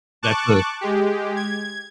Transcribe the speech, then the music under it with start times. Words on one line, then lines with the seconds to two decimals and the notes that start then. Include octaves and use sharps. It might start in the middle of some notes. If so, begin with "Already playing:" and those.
that's a
0.23 A5 C#6 D6 F#6
0.81 G#3 G4
1.36 G#6